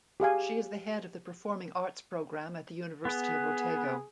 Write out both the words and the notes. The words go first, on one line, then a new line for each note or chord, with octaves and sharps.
She is the head of the performing arts programme at the University of Otago.
G4 G#4 F5 G#5
B3 G#4